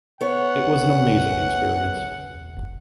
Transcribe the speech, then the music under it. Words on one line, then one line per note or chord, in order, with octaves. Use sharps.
It was an amazing experience.
B3 C#5 F#5